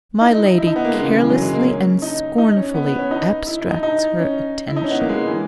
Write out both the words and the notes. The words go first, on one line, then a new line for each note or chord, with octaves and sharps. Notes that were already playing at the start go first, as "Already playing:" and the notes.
My Lady carelessly and scornfully abstracts her attention.
D#4
E4
D#4
E4
D#4
B3
A#3
G#3
C#3
D#3
E3
F#3
G#3
A#3
C#4
D#4
D#4
C#4
B3
B3
C#4
D#4
E4
E4
D#4
D#4
C#4
E4
D#4
C#4
B3
A#3
G#3
E3